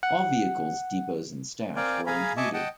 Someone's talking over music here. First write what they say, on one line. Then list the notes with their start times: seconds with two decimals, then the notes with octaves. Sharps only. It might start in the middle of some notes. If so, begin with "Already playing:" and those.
All vehicles, depots and staff were included.
0.03 F#5
1.76 C4 A#4 D5 F5 G5 G#5
2.06 G#4 F5 G#5 A#5 B5
2.37 D#5 E5 G#5 A5 C#6 D6
2.53 D#5 F#5 G5 A5